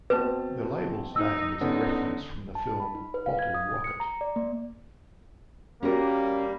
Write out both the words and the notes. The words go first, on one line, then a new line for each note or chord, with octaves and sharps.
The label's name is a reference from the film "Bottle Rocket".
B2 C4 B4 A5
D#4 E6
D3 B3 C#4 D#4
A5
B5
D#4
B4
F5
G#6
D#6
C#7
A#5
D5
A#3
G3 A#3 C#4 F#4 A#4